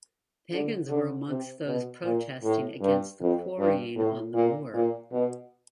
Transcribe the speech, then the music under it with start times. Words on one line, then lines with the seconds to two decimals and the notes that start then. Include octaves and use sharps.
Pagans were amongst those protesting against the quarrying on the moor.
0.52 D3
0.89 D3
1.28 C3
1.66 B2
2.04 A#2
2.42 A2
2.81 G2
3.20 F2
3.59 G2
3.96 A2
4.34 A#2
4.74 A#2
5.12 B2